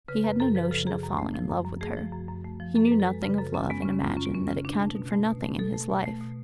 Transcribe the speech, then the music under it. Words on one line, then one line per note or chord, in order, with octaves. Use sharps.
He had no notion of falling in love with her. He knew nothing of love and imagined that it counted for nothing in his life.
C#3 B4
F#2 B4
F#2 A4
F3 B4
C#3 A4
F#2 G#4
F#2
A3
F3
F#2
F#2
A3 G#4
F3
F#2
F#2
A3
F3
F#2 A4
B4
F#2
A4
G#3
C#3 B4
F#2 A4
F#2 C#4
G#3 B3
C#4
C#3
C#4
F#2 F4
F#2 C#4
B3
G#3 C#4
C#3
B2 D4
A3
B2
A3
B2
A3
B2 A4
A3
B2
A3
B2